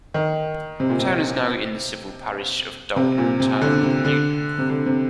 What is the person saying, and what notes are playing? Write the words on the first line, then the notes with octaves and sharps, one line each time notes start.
The town is now in the civil parish of Dalton Town with Newton.
D#3
C3
A#2
C3
C3
A#2
C3
D3
C3
D3
C3
D3
C3